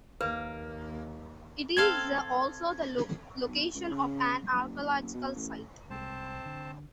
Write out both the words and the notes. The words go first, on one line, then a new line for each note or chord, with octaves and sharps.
It is also the location of an archaeological site.
D#2 A#3 B4
C4 A4 F5 G#6
B1
C#2
C#3
F#1
B2
A1
C2 G#3 C4 C5 A5
D3